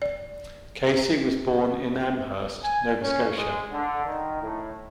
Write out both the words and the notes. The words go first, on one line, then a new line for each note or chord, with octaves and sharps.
Casey was born in Amherst, Nova Scotia.
D5
G#5
C#4
G#3
D3
D#3
A2